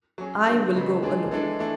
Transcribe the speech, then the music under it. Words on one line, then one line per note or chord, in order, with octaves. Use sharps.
"I will go alone."
F#3 C#4 G#4
D3 F#3 B3 F#4
C#3 G#3 B3
G#3 D4 G#4
E3 G#3 D4 A4
E3 A3 D4